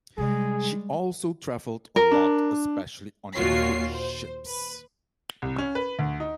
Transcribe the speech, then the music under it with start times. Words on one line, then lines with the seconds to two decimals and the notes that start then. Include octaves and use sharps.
She also traveled "a lot, especially on cruise ships".
0.18 C3 G3 G#3 C#4 G#4
1.96 A#4
2.11 D4
3.35 D#2 A#2 F4 F#4 C#5 C7
3.92 C5
4.46 B4
5.42 C2
5.58 C#4
5.75 B4
5.99 D2
6.20 D#4